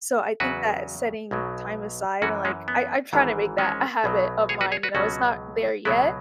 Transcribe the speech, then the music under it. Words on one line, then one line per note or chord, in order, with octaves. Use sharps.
so, I think that setting time aside and, like I I'm trying to make that a habit of mine, you know? It's not there yet,
E2 C#3 F#3 F#4 B4
B1 B2 F#3
F#2 E3 C#4 F#4
G#3 C#4
B3
G#1 G#2 E3
G#3 C#4
B1 B2 F#3
G#4 C#5
F#4 B4
G#4 C#5
F#4 B4
C#2 B2 F#3 C#4 F#4
C#2 B2 F#3 B3 E4